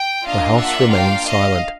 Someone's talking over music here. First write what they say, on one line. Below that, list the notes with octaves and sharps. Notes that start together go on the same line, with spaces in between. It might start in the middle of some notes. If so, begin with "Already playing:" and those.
The house remained silent.
Already playing: G5
A#3 D4 F4 D#5 F5
E5 F#5
F5 G5
D#5 F5